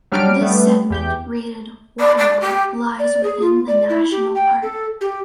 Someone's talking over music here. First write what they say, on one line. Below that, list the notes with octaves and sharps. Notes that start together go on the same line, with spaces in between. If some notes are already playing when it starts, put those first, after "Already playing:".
This segment, rated "wild", lies within the national park.
F#3 G3 D4 F6 D7
G3 A3 B3
E2 G4 G6
D5
D5
G4
D5
G#4
F4
D5
E4
G4
G5
A4
G4